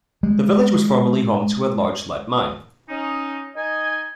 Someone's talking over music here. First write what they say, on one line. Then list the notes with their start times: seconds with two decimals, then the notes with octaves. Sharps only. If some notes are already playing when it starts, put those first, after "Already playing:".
The village was formerly home to a large lead mine.
0.23 G3 G#3
2.89 C#4 D#4
3.56 D#4 D#5 G#5